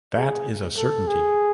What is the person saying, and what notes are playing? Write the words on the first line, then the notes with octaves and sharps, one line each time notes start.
That is a certainty.
G#4
A4
G#4